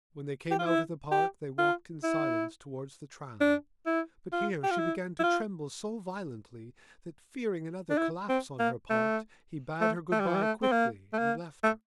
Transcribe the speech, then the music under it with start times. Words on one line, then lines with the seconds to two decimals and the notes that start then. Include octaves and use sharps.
When they came out of the Park they walked in silence towards the tram; but here she began to tremble so violently that, fearing another collapse on her part, he bade her good-bye quickly and left her.
0.51 G4
0.59 F4
0.66 E4
1.11 G4
1.58 F4
2.03 E4
3.41 D4
3.86 E4
4.33 F4
4.64 G4
4.71 F4
4.79 E4
5.19 E4
5.23 F4
7.90 D4
7.98 E4
8.29 C4
8.59 A#3
8.90 A3
9.81 A3
10.12 A3
10.20 G3
10.27 F3
10.35 G3
10.42 A3
10.63 C4
10.72 A#3
11.13 A3
11.18 A#3
11.64 A3